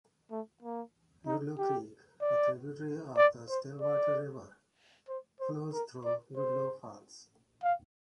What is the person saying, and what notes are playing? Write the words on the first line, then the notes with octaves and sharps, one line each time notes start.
Ludlow Creek, a tributary of the Stillwater River, flows through Ludlow Falls.
A3
A#3
D#4
G4
D5
D5
C5
D5
C5
C5
A#4
D5
C5
F5